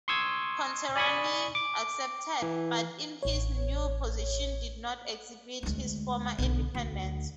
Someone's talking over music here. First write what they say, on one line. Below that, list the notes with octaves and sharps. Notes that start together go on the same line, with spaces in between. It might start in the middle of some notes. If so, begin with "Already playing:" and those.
Contarini accepted, but in his new position did not exhibit his former independence.
C6 C#6 D#6 E6 G#6
D5 G#5 B5 C#6 D#6
D6
E3
A1 C#5
D2 G#3
B1 D3
D2